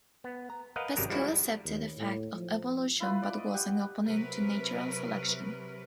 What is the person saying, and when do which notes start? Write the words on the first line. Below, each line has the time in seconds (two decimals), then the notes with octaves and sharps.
Pascoe accepted the fact of evolution but was an opponent to natural selection.
0.24 B3
0.50 A#5
0.76 A#4 B4 D#5 F5 F#5
0.97 G#1 F#2 C3 F#3 G3 A#4
1.10 F3 G3 G#3 D4 E4 F#4
1.64 D#2
1.97 A2
2.35 F3
3.00 E4 F4 B4
3.22 D5
3.38 D#5
3.54 G4 F#5
4.05 C3 F#3 A#4 B4